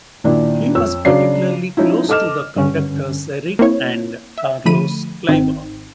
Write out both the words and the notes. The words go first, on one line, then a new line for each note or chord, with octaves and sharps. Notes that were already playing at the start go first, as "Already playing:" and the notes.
He was particularly close to the conductors Erich and Carlos Kleiber.
A#2 D#3 D4 E4
F2 C#5 E6
C#3 F#3 D4 C7
F3 C#4 D#4 E4
A4 D#5 D6 F6 E7
G2 D3 C#4
A#3 C4 E4 C#5
E5
D3 F3 A3 B5 D#7
G#1 D#3 C4 D#4 G5